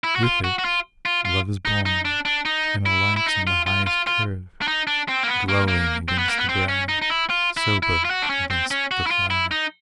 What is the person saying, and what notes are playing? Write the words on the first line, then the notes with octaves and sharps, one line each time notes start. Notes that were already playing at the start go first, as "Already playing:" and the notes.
With it love is born, and alights on the highest curve, glowing against the grey, sober against the fire.
E4
F#4
F4
F#4
F#4
F4
F4
F4
D#4
D#4
D4
D4
D#4
E4
E4
D#4
F4
F4
F4
F4
D4
D#4
D4
C4
A#3
B3
A#3
A#3
C4
B3
A#3
B3
C4
C#4
D#4
D#4
E4
F4
E4
E4
F4
F#4
D4
C#4
C4
C#4
F#4
E4
F4
E4
D#4